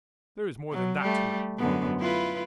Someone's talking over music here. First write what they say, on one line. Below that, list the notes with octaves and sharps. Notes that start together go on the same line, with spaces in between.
"There is more than that to it," groaned Blood.
F#3
G3 A3
F#2 D3 B3
E4 F4 B4